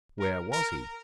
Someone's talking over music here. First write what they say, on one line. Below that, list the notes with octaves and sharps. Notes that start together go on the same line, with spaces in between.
Where was he?
A#4
A#4